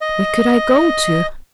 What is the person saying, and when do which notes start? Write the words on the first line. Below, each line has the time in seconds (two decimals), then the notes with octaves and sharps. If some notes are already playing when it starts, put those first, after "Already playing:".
'Where could I go to?
0.01 D#5